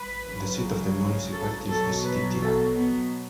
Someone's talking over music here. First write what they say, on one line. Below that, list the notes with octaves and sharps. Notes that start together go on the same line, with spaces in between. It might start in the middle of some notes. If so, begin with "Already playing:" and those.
The seat of the municipality is the city Tirana.
Already playing: B4
C#3 F#3
A4
B2 F#3 A4
B4
A4
B3